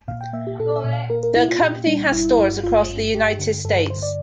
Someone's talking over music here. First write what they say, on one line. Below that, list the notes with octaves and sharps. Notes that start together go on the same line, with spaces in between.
The company has stores across the United States.
A#2 F5
G5
A#3 E5
G4
A#2 A4
D5
E5
A#2
F5
A#3 A#4
A#4
C2 E4
F4
A#2 G4
G3 D4
G1 E4
G2
G1 F4
G2
G2 G4
D3
G2 A4
D3 C5
D5